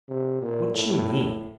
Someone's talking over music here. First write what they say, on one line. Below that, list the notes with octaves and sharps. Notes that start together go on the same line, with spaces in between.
"What you mean?"
C3
A#2
A2